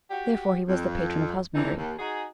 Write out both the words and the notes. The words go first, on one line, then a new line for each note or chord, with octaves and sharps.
Therefore he was the patron of husbandry.
F#4 G4
F2
F2 C3 E3 D4 D#4
D#2
D#4 F#4 G#4